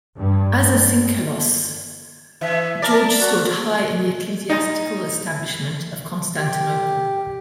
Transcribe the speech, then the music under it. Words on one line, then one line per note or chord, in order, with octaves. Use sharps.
As a "synkellos", George stood high in the ecclesiastical establishment of Constantinople.
G2
E3 E5
A#4 D5 A5
F#4
D#4
G4